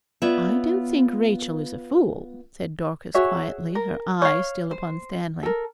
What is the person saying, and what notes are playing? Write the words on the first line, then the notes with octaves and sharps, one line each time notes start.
'I don't think Rachel is a fool,' said Dorcas, quietly, her eye still upon Stanley.
B3 F4 C#5 D5 E5
F#4 G#4 C#5 E5
A#4
C#5 F5
C5
A4 A#4